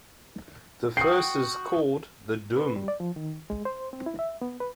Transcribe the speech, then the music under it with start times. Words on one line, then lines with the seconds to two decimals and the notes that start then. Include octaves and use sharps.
The first is called the "doum".
0.97 F#4 F#5 G5 D#6 C7
2.57 B4
2.76 G3
2.88 D5
3.00 F3
3.16 D#3
3.50 G#3
3.65 C5
3.93 C4
4.06 E4
4.19 E5
4.42 B3
4.60 B4